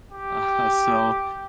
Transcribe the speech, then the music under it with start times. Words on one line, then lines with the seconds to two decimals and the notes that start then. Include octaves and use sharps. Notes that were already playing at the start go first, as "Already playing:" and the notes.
Aha, so,
0.12 G4